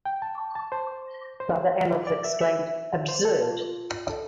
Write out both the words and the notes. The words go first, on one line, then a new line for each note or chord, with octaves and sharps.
Father Amorth exclaimed, Absurd!
G5
A5
A5
C5
C5
D5
E5
E5
C5
A4
F4
A4